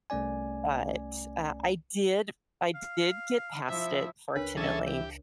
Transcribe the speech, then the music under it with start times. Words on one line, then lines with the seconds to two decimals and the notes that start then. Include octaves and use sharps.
but, uh, I did I did get past it, fortunately.
0.10 C2 A3 C#4 D5 G#5
2.75 F5
3.68 F3 E4 E5
4.35 C#2 D4 A#4 B4 C#5
4.57 E3 C#4 G#4 A4 E5
4.86 G4